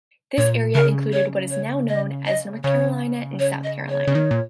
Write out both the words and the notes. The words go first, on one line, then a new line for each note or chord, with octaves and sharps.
This area included what is now known as North Carolina and South Carolina.
A#2 C#5
C#3 A#4
C#5
C#5
D#5
D#5
C#3 C#5
C#5
D#5
C#5
C#3
D#3
A#2